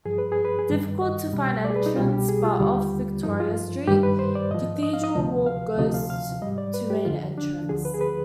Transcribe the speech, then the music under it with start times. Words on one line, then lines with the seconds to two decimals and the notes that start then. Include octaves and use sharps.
Difficult to find entrance but off Victoria Street, Cathedral Walk goes to main entrance.
0.05 G2 F3 G#4
0.18 B4
0.32 G#4
0.45 B4
0.59 G#4
0.69 G2 D#3 G3
1.01 D#5
1.33 C2 B2 G3
1.65 D5
1.70 G#4
1.76 B4
1.86 D#4
1.96 C2 B2 G3 F4
2.12 G4
2.29 G#4
2.44 F4
2.60 D#2 D3 G3
3.23 G2 F3 D#4
3.40 F4
3.87 G2 D#3 G3 G4
4.03 B4
4.19 C5
4.35 D5
4.51 G#2 F3 D#5
4.83 D#5
4.93 F5
5.04 D#5
5.15 D2 C3 F3
5.46 F5
5.78 D2 C3 F3 D#5
5.94 F5
6.10 F5
6.42 G#2 G3 D#5
6.58 D5
6.74 B4
6.90 G4
7.05 F2 D3 F3 F4
7.38 D4
7.69 D2 D3 F3 G#4
7.85 B4
7.94 G#4
8.01 B4